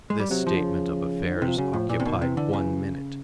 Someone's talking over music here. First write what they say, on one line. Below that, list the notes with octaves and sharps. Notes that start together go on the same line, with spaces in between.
This statement of affairs occupied one minute.
G#3
G3
C3 F#3
F3
D3
C#3
D3
E3
C3
F3
C#3 F#3
A2 F3
A#2 E3
C3
B2 D#3
F3
C3 E3
D3
C#3